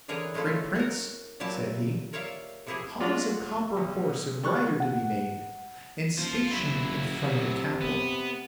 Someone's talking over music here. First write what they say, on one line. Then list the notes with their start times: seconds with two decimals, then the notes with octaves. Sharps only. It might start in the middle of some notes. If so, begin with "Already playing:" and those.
'Great prince,' said he, 'cause a copper horse and rider to be made, and stationed in front of the Capitol.
0.08 D3 E3 G#4 A#4 B4 C#5
0.34 G#3 A3 C#4 E4 F4
0.75 F#4 A#4
1.40 A#2 F#3 E4 G4 A5
2.13 A#4 C#5 D5 E5 F5
2.67 C3 F3 E4 G4 G#4
3.00 F#3 G#3 F4 F#4 D5
3.76 B1
4.43 G3 C#6 F#6
4.80 F#5
6.18 D#1 F4 C5
6.51 F#1 F#3 E4
7.23 C3
7.81 B3